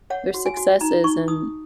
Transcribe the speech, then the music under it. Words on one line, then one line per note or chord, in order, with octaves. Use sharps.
their successes, and
C#5 F#5
F#4
G#5
F#4
D#4 A#5
D#4 C#6
D#4 D#6